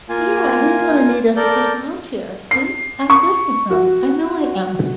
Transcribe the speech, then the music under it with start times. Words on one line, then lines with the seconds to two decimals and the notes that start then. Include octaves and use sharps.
Yeah, he's gonna need us to push the wheelchair. See? I'm good for him, I know I am,
0.09 A#3 F4 G#5
1.36 A4 A#4 D5 G6
2.51 C7
3.10 C#6
3.70 F#4